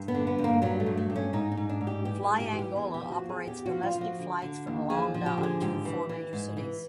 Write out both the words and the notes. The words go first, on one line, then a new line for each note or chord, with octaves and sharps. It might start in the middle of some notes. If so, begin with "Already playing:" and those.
Fly Angola operates domestic flights from Luanda to four major cities.
Already playing: G2
B3
D3
B3
G2
A#3
F#3 G3
A3
G2
A3
G2
C#4
G#2 D#4
D#4
G#2
D4
G#2
G4
E3 G4
G#4
G#2
G4
E3
G4
E2 G#4
G4
F3
F#4
E2
G#4
E2 G4
F#4
F3
F4
F3
F#4
D3
D3
D#2
F3 G#4
F3
G4
D3
G#4
G#2 G4
E3
E3
G#2
E3